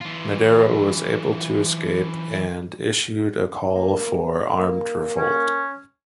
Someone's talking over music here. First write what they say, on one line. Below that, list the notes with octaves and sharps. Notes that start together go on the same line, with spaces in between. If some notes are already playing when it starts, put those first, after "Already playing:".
Madero was able to escape and issued a call for armed revolt.
E3 F4
A#3
A#3
C#4